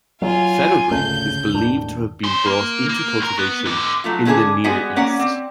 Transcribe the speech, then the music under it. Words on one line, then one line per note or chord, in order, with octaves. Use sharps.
Fenugreek is believed to have been brought into cultivation in the Near East.
F#3 F4 F5 G#5
G#1 D2 C#3 A3 G6
E1 A2 D#3 D4
C#4 C5
A#3
A#3
B1 A#4
B3
G#2 D3
F#3 A3 F4
D3 C#4 G#4 B4 G#5 A5
G3 G#3 B3 F#4 G#5
A#3 C#4 D5 F#5
C4